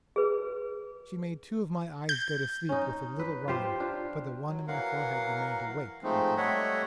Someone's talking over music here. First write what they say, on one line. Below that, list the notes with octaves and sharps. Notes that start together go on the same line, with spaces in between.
She made two of my eyes go to sleep with a little rhyme, but the one in my forehead remained awake, luckily!'
G#4 B4
G6
C#4 D#4
B4
F4 G4 C5
D4 F4
F#3
E3 F#3 A#4 F5 F#5
F3 G#3 A3 C4 D#4
G3 A3 C#5 D#5 E5 F#5